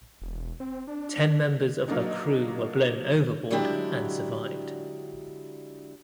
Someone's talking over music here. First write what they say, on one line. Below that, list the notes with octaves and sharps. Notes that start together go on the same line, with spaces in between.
Ten members of her crew were blown overboard and survived.
E1
C4
D4
F#3 A#3 D4 D#4
D3 F#3 G#3 D4 E4 G4